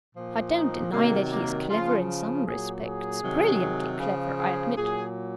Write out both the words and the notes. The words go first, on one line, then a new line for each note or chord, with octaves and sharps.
I don't deny that he is clever in some respects--brilliantly clever, I admit.
A#2 F3
D#4
C3 D#3 F#3 A#3
A#3
C#3 F3 F4
A#2 F#3 G#4
G#4
C3 D#3 F#3
C#3 F3
G#4
A#2 F#3 G#4